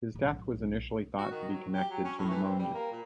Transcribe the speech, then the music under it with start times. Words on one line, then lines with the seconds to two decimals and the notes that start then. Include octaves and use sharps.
His death was initially thought to be connected to pneumonia.
0.14 B1 A2
1.18 F#4
1.31 D#3
1.48 F#3
1.73 G4
1.90 F#3
2.05 C#4
2.18 A2
2.30 E3
2.44 C4
2.59 G3
2.74 A#3
2.92 A#2